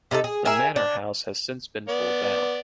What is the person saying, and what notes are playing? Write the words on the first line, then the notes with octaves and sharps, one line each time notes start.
The manor house has since been pulled down.
C3 D#4 F4 A4
G#4
G#4 A#4 E5 G#5
D4
B3 D5